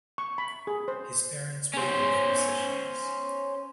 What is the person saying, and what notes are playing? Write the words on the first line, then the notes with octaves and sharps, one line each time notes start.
His parents were both musicians.
C#6
B5
G#4
C5
C#4 C5